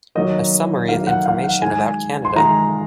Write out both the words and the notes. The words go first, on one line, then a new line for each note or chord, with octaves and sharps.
A summary of information about Canada.
D#3 F#3 A#3 D#5
D#3 F#3 A#3 F5
F#5
F5
F#5
D#3 G#3 G#5
C6
D#3 G#3 A#5